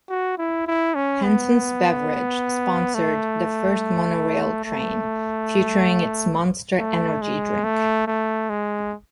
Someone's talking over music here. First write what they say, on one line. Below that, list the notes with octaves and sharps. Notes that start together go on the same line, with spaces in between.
Hansens Beverage sponsored the first monorail train, featuring its Monster Energy drink.
F#4
E4
E4
C#4
B3
A3
A3
A3
G#3
A3
A3
G#3